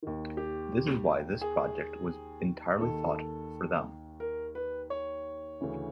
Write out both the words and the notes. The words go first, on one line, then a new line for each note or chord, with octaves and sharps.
This is why this project was entirely thought for them.
D#2 D#3
G4
G#4
D#2 D#3 A4
A#4
B4
C#5
D2 C#3 E3